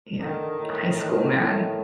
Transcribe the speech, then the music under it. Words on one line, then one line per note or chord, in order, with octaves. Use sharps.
Yeah, high school, man,
D3 D#3
A2
D#3
A2 D#3